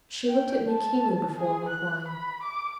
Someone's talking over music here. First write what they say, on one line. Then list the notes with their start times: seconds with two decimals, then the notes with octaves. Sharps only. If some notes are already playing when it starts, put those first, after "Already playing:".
She looked at me keenly before replying.
0.28 G5
0.68 A5
1.37 G#4
1.68 F#6
2.08 B5
2.43 D6